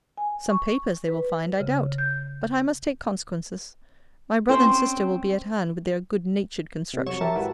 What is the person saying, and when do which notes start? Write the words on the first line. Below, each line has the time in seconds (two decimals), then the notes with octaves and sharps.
Some papers they will find, I doubt: but I must take consequences. My brother and sister will be at hand with their good-natured constructions.
0.17 G#5
0.51 C#6
1.08 B4
1.60 C#3
1.98 G6
4.49 C4 C#4 C5 G5
6.93 C3
7.06 F2 F#3 C#5 C#6 E7
7.21 G4 A#4 E5 A5
7.35 G#1 G#2 E4 F#4 B4